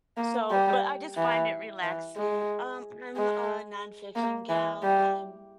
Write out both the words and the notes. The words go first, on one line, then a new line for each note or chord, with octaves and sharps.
So but, I just find it relaxing um, I'm a nonfiction gal, I'm
A#3
G3
E3
E3
G#3
G#3
A#3
E3
G3